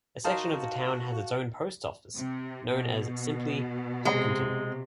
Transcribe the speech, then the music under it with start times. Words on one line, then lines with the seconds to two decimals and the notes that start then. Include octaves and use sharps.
A section of the town has its own post office known as simply Hopkinton.
0.24 D#4 F#4 A#4 C5 F5 A5
2.17 C3
2.71 B2
4.05 C3 G#3